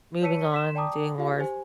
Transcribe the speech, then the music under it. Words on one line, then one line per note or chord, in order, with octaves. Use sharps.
moving on, doing more
C#5 A5 E6 B6 C#7 D#7
C6 B6 E7
D5 G5 A5 A#5 D6 D#6
F4 G4 F5
G4 C5 G#5